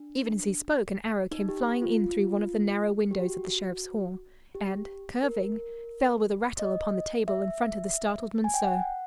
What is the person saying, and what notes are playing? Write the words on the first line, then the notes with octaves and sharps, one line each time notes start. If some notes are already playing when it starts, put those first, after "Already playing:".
Even as he spoke an arrow came flying in through one of the narrow windows of the Sheriff's hall, and, curving, fell with a rattle upon the table in front of the startled Monceux.
Already playing: D4
D#4
G4
F4
G4
F#4
G4
A#4
D#5
E5
G#5
G5
F#5